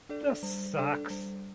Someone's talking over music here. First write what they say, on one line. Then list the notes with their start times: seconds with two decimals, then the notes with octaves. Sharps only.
This sucks.
0.09 D4 A4 D5
0.43 G3
0.77 D4 A4 D5
1.10 G3